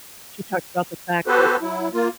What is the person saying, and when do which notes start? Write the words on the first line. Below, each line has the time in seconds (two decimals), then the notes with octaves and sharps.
she talked about the fact that
1.27 B3 F#4 G4 A4 B4 C5
1.61 F#3 E4
1.94 A#3 F4